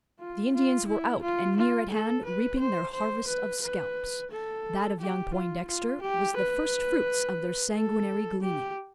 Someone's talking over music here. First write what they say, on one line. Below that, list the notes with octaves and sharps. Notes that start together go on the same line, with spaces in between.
The Indians were out, and near at hand, reaping their harvest of scalps! That of young Poindexter was the firstfruits of their sanguinary gleaning!
F4
F4
E4
F4
F4
A4
B4
C5
C5
B4
B4
A4
G4
F4
F4
G4
B4
A4
G4